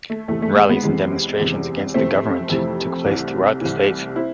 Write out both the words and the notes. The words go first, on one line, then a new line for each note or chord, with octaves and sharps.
Rallies and demonstrations against the government took place throughout the state.
A3
E2 C3 E3 A3
A3
G#3
G#3 B3
E2 C3 E3 G#3 B3
E2 C3 E3
F2 C3 E3 A3 C4
F2 C3 E3
C2 C3 E3
C2 C3 E3
C4 E4